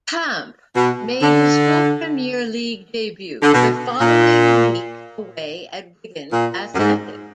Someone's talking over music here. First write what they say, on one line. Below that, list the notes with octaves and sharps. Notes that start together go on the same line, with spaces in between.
Camp made his full Premier League debut the following week away at Wigan Athletic.
B2
D3
D3
B2
A#2
A#2
F#2
G#2